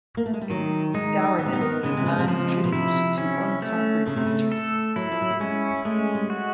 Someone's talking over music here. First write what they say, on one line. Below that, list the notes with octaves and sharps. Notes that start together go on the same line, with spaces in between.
Dourness is man’s tribute to unconquered nature.
A#3
A3
G#3
G3
D#3 F#3
G#3 D#4
G3 B3
G#3
G3
D#3
C#3 G#3
C3
C#3
C3
C#3 F3
B2
C3 E4
C#4
A3
C#3 A3
C3
C#3
A4
F#3 E4
F3
F#3
G3
G#3 C#4
G#3 A3
G3
F#4